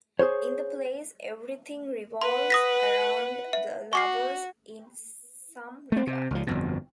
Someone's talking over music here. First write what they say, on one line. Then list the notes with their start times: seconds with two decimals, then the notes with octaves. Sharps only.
In the plays everything revolves around the Lovers in some regard.
0.19 G#4 A#4 C5 C#5
2.21 B4 F#5 C6
2.50 D#6 A#6 B6
3.53 E5
3.93 F#4 C#6 D6 C7
5.92 A3 C4
6.07 C3
6.31 C#2 F3
6.47 G1 F2 B2